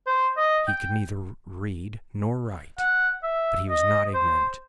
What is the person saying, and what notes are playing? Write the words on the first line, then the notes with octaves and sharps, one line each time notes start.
He could neither read nor write. But he was not ignorant.
C5
D#5
G5
F#5
E5
D#5
C5